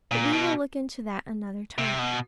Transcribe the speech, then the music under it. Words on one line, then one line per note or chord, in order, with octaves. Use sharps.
But we will look into that another time.
A#2
B2
C3
B2